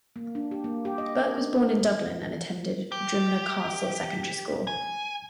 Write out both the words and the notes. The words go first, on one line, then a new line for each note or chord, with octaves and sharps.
Burke was born in Dublin and attended Drimnagh Castle Secondary School.
A#3
D4
G4
A#3
G4
D#5
A#4
D4
A#4
G4
G#5